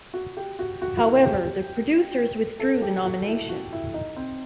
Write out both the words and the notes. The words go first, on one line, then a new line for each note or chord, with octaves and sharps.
However, the producers withdrew the nomination.
F#4
G4
F#4
F#4
F#4
E4
G4
A4
G4
F#4
E4
F#4
E4
D#4
C4